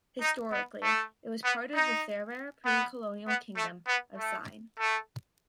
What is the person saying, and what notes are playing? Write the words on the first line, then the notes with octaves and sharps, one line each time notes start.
Historically, it was part of the Serer pre-colonial Kingdom of Sine.
D#4
B3
A3
B3
D#4
B3
B3
A3
B3
A3
A3